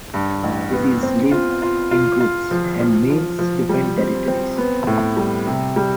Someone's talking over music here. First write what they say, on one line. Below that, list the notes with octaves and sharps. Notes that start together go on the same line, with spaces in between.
Many species live in groups and males defend territories.
G2
A1
B3
C4
F4
F4
F4
F4
F3
F3
F3
F3
G3
C4
C4
B3
A2
G3
C3
G3